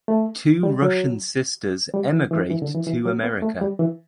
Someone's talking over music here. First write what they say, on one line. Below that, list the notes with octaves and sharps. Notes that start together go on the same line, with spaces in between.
Two Russian sisters emigrate to America.
A3
G3
F#3
G3
E3
E3
E3
D3
E3
E3
F#3
B3
A3
G3
E3